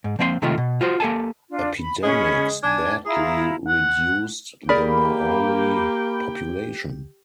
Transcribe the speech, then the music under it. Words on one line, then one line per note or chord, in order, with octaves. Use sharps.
Epidemics badly reduced the Maori population.
G#2
F3 A#3 C4 D#5 C6
C3 D#3 G#3 A3 F4
B2
F4 F#4 C5
A#3 G4 A4 G#5 A5
D4 F4
B5
G#3 C#4 B5
D4 G#5 G#6
E4 F4 G#4 A#5
F#5
A#3 G4 G#4 A#4 D5 G5 B5